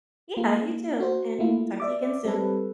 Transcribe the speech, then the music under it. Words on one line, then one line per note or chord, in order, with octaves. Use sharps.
Yeah, you too, and talk to you again soon.
A#3 F4
F#4 C5
A3 A#3 E4 F4
D5 E5 D6
G3 C4 A4 B4